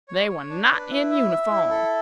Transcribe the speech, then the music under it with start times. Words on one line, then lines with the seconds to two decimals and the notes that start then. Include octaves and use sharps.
They were not in uniform.
0.08 C#5
0.29 C#5
0.50 D4
0.70 B4
0.90 E4
1.10 E5
1.30 E5
1.51 E4
1.70 A4